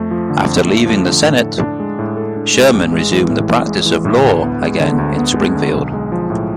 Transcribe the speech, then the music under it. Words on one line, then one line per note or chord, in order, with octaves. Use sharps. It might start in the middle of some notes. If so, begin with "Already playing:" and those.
After leaving the Senate, Sherman resumed the practice of law again in Springfield.
Already playing: F2 A3
F3
D3
F2
A3
F3
D3
A2
A4
D4
G#3
A2
A4
D4
G#3
A1
G#3
E3
A2
A1
G#3
E3
A2
D2
B3
G#3
D3
D2
B3
G#3
D3
B1
G#3
F3
A2